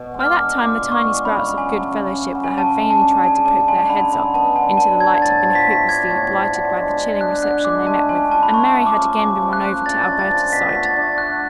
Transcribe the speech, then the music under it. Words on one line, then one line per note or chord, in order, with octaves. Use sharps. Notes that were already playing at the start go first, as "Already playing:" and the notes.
By that time the tiny sprouts of good fellowship that had vainly tried to poke their heads up into the light had been hopelessly blighted by the chilling reception they met with, and Mary had again been won over to Alberta's side.
Already playing: B2
G#3
F6
D6
D4
F4 D6
B2
C#6
G#3
C#3 B5
F#3
G#5
A3
C#3
C#3
F#3
G#5
C#3 A5
G#3
A5
D4
G#4 G#5
C#3 A5
G#3 G#5
D3 B5
F#3 B5
B3 A5
D3 G#5
D3 A5
F#3 G#6
A2 A6
F3
B6
A3
D4 G#6
A2
F3
D3
G#3
D4
G#4 F#6
D3 F#6
G#3 D6
A3 A5
C#4 G#5
F4 A5
B5
A3 C#6
A3
D6
C#4
C#3 D6
F3
F#6
A3
D4 A6
C#3
A6
F3
B2 B6
A3
A6
D4
F#4 F#6